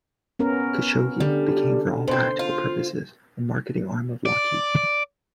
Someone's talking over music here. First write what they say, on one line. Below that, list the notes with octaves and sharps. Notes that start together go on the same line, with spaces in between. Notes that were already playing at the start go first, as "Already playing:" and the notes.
Khashoggi became for all practical purposes a marketing arm of Lockheed.
B3 C#4 A#4
D3 G3
B2 C4 C5
F4
D5